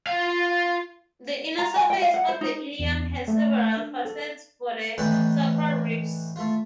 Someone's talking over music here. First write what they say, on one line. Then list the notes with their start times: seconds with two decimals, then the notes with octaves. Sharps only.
The inner surface of the ilium has several facets for the sacral ribs.
0.07 F4 F5
1.59 A#5
1.76 G#5
1.90 G5
2.02 F5
2.14 F#5
2.28 C5
2.41 D#4
2.79 E2
3.28 A3
3.77 D4
4.05 A4
4.98 A2 E3 D#4 B4 D5 G5
6.36 A3 F4